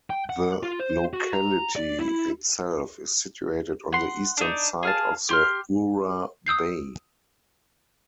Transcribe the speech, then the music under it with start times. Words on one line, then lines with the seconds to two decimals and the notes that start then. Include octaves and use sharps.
The locality itself is situated on the eastern side of the Ura Bay.
0.10 G5
0.30 F#5
0.63 F4
0.79 C5
1.13 F#4
1.33 A#5
1.76 D5
1.99 E4
3.93 F#5 C6
4.37 D4 D#4
4.83 G#4 F5 A5
5.29 G4 C6 F6
6.46 D#6 E6 G6 C7